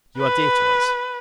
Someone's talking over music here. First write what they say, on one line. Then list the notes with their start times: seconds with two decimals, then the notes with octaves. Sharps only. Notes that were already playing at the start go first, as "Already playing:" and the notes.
You are dear to us.
0.18 B4